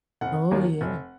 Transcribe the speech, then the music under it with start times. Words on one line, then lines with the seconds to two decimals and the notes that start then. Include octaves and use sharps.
Oh, yeah.
0.21 F1 F#5
0.51 D#2 D#3 F#3 A#3
0.81 F1